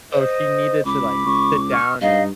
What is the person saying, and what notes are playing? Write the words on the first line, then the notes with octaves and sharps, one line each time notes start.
so she needed to, like, sit down and
C5 D#5
C#2 B5 D6
C#2 C#6
C#6 F6
G2 D#4 D#5 F5